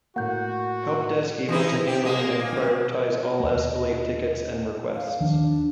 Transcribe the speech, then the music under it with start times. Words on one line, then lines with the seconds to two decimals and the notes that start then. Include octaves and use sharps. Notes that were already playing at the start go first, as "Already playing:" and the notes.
Help Desk able to handling and prioritize all escalate tickets and requests.
0.16 A2 A#3 F#4 F#5 G6
1.49 E3 D#4 E4
1.87 G4
2.05 G#3 A#3 D#5
2.39 A#3
2.57 C3
2.89 D#5
3.40 D#2 A#3
4.95 F5
5.21 D#2 D#3 F3 D4